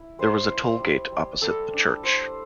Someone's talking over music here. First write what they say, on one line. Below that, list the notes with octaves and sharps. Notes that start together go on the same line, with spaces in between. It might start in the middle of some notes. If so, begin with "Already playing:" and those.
There was a toll gate opposite the church.
Already playing: E4
G3 C5
E4
G3
G3
G3 A4
D4
G3 C5